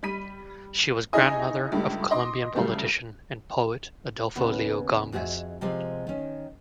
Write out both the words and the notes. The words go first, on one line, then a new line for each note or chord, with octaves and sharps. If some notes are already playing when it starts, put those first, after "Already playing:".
She was grandmother of Colombian politician and poet Adolfo Leon Gomez.
G3 B5 B6 D#7
C#4 D#4 E4 G#4 D#5 G#5
C#2 G2 G3 A3
D#5 C6 D6
C#3 F#3 G3 A3 B3
D#2 C#3 B3 B4
F2 F#4 G#4 D#5 E5
C3 F3 G#3 C4
D#3 C#4